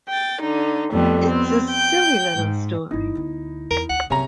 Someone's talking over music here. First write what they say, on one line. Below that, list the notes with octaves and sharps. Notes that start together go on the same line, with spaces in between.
It's a silly little story.
G5 A6
D3 D#4
F2 G3 A3 B3
B3 C4
G5 G6
G#2
G1 E3 D#4 E4
D2 B3
E2 A#4
D2 F#5
C2 C3 F#3 C#4 A#5